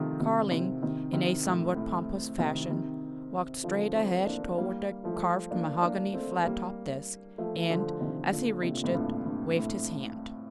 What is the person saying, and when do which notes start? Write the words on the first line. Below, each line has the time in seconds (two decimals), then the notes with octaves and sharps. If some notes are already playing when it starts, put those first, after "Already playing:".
Carling, in a somewhat pompous fashion, walked straight ahead toward the carved-mahogany flat-topped desk, and, as he reached it, waved his hand.
Already playing: C3 D#3 F3 A3
0.20 C3 D#3
0.52 C3 D#3
0.82 C3 D#3
1.13 C3 D#3
1.46 A2
1.76 A2
2.39 C3 D#3
2.70 C3 D#3
3.64 D3 F3
3.95 A3 C4
4.26 A#3 D4
4.58 G3 A#3
5.04 F3 A3
5.51 A#3 D4
5.82 A#3 D4
6.14 A3 C4
6.45 G3 A#3
7.38 F3 A3
7.70 D3 F3
8.01 C3 D#3
8.33 A#2 D3
8.63 C3
8.73 A#2
8.84 A2 C3
8.94 G2 A#2
9.26 G2
9.57 A2